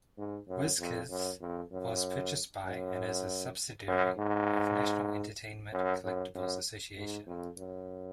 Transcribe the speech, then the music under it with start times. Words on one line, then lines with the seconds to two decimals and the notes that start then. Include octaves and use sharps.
WizKids was purchased by and is a subsidiary of National Entertainment Collectibles Association.
0.18 G#2
0.48 F#2
0.79 F2
1.10 F#2
1.41 F2
1.72 F#2
2.65 F#2
3.88 F#2
4.18 G#2
5.73 F#2
6.04 F#2
6.35 F#2
6.96 G#2
7.27 F2
7.58 F#2